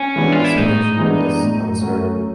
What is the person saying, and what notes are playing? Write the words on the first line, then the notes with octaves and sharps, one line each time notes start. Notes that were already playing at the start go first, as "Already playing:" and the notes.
His origin is uncertain.
Already playing: C#4
E3 G#3 B3 D4
F4
E4
A2 D#4
E3 G#3 B3 D4
A2
F#3 A3 C#4 F#4